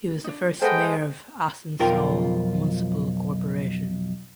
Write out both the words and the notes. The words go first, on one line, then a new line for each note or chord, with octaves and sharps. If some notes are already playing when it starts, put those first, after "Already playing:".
He was the first Mayor of Asansol Municipal Corporation.
D4 D#4
G#3 A4 B4 C5 D#5 F#5 G5
B1 F2 F3 F4 A#4 G5